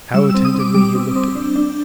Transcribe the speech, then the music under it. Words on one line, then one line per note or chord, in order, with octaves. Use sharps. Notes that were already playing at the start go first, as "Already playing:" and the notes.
"How attentively he looked at you."
G3 E6
C4 E6
D#6
C4
D6
G3 D6
C4
C4
D4
D4